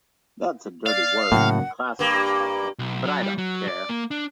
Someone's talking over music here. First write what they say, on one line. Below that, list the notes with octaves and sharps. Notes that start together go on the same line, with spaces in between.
That's a dirty word in the classical department, but I don't care.
D5 F5
A2 C#3 F#3 A#3 F#5
G2 A#3
B1
F#3
G3
F#3
D5
A#3
D4